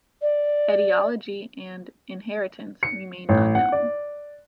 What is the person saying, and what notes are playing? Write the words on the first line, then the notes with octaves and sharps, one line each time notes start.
Etiology and inheritance remain unknown.
D5
C#7
A1
F#5
D5